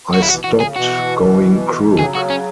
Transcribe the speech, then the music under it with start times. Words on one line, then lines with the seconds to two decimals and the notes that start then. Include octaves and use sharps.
I stopped going crook.
0.13 C#3 F#3 F#4
0.22 E4
0.29 B2 E3 F#4
0.44 B2 E3 F#4
0.60 C#3 G#4
0.75 B2 E3 F#4
1.98 C#3 F#3 G#4
2.15 F#4
2.30 C#4